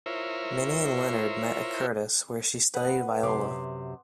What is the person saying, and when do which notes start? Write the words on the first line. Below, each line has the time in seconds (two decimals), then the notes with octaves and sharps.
Minnie and Leonard met at Curtis, where she studied viola.
0.06 E4 F4 A#4 C5 C#5 E5
2.74 B4 F#5 D#6
3.23 F#2 C3 C6 D6